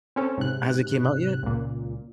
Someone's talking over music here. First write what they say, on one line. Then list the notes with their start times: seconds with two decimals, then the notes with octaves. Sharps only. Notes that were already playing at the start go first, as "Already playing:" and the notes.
Has it came out yet?
0.16 C4 C#4 A4
0.38 G#2 C3 F#6
1.43 C#2 A#2